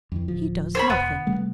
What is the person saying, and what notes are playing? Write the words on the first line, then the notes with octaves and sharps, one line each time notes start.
He does--nothing.
F2 E3
D1 F3
C5 C#5 B5
E1 B3
C3 G3 A3